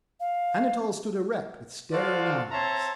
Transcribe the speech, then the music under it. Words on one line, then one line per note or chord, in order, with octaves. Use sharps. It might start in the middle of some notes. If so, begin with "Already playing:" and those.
Anatole stood erect with staring eyes.
F5
F4 F#4 A4 C5 D5 F5
C4 C#5 E5 A5 A#5 C6